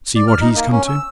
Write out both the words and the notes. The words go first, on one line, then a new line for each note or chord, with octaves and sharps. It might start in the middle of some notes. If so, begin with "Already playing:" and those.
See what he's come to!
D5
F6
D#4
A#3
C#4
E6